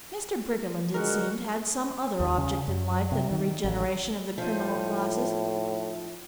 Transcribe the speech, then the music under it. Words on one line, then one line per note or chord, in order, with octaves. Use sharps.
Mr. Briggerland, it seemed, had some other object in life than the regeneration of the criminal classes.
D3 F3 G#3 F#4 A#4
D#2
C#3
F#2
C3
D#3
A1
A2 F3 D#4